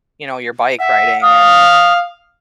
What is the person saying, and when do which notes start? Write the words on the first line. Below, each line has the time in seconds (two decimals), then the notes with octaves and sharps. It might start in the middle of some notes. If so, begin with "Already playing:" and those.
you know, your bike riding and
0.80 E5 F#5
1.22 F5 D#6